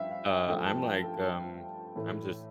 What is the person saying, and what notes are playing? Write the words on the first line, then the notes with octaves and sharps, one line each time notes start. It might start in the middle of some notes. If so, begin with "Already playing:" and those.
Uh, I'm like, um, I'm just,
Already playing: G2 F3 E5 F5 G5
F5
G5
G2 F3 A3 G5
A5
A5
G5
A4
A2 E3 A3